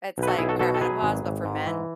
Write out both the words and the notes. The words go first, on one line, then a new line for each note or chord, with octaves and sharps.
it's like perimenopause, but for men.
B1
B4
F#4 A4
B1 E4 G#4
F#4 A4
B2 F#4 A4
A4
F#3 G#4 B4
G#1
G#1
G#2
E3